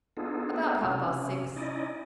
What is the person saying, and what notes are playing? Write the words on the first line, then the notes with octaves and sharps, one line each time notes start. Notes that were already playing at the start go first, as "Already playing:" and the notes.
"About half-past six."
B3 D4 D#4 F4 G#4 A4
C3 C#4
C#4 D#4 E4 D5 D#5